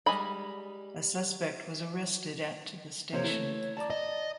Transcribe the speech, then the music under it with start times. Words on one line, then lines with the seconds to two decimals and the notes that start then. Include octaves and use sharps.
A suspect was arrested at the station.
0.06 G3 G#3 G#4 D#5 B5
3.13 C3 A#3 C5 C#5
3.24 E3 A3
3.77 D5 A5 A#5 D6
3.90 D#5